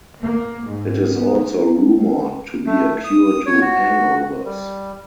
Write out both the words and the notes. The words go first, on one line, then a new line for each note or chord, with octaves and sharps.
It is also rumoured to be a cure to hangovers.
A#3
G#2
B3
A3
D#6
C#5
F#4
G3